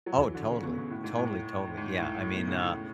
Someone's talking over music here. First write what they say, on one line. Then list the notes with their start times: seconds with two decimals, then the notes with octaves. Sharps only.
Oh, totally. Totally, totally, yeah, I mean, uh,
0.06 F#3
0.20 E3
0.34 D3
0.49 C#3
0.63 B2
0.77 B2
0.90 A2
1.04 G#2
1.18 A2
1.77 G#2
1.98 A2
2.20 A2
2.33 B2
2.48 C#3
2.62 A2